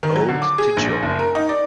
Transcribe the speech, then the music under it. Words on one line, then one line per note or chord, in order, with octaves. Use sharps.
"Ode to Joy".
D#3
F#3
D3
D6
G#4
A#1
F#1
A#4
D#4
D5